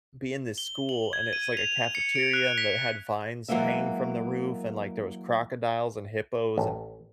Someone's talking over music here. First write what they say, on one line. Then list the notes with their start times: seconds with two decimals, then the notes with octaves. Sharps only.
be in this school, and it's, like, a cafeteria and that had vines hanging from the roof, and, like, there was crocodiles and hippos and,
0.58 G7
0.89 F#7
1.13 G#6
1.33 D#7
1.57 F7
1.95 C#7
2.15 D7
2.33 F#6
2.58 B6
3.49 E3 F#3 G#3 A#3 E5
6.58 A1